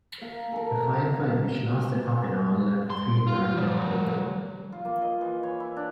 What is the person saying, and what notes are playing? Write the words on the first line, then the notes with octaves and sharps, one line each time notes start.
The firefight, which lasted half an hour, left three American wounded.
A#3
A4 A#4
D#5
C6
F4
F3 G3
F4
A#3
D#5
E3
C#5
E4
D4